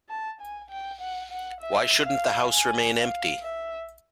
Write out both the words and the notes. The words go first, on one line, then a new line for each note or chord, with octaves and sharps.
Why shouldn't the House remain empty?
A5
G#5
G5
F#5
F#5
E5
F5
G#5
F5
E5